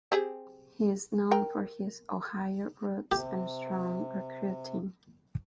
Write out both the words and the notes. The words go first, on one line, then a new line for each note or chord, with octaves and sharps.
He is known for his Ohio roots and strong recruiting.
C4 G4 G#4
A#4 G5
C3 G4